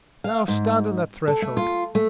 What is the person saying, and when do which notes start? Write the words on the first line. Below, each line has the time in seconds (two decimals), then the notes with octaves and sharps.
Now stand on that threshold.
0.24 F5
0.48 G#2
1.28 A4
1.42 A3
1.57 F4
1.95 A3